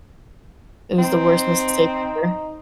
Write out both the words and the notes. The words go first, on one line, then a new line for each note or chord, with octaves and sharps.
It was the worst mistake ever.
C4 D#4